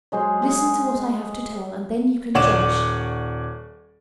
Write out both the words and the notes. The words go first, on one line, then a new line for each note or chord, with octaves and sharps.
Listen to what I have to tell and then you can judge.
F#3 G#3 G#4 C5
G#4
D#1 C#5 D5 F#5 D6 E7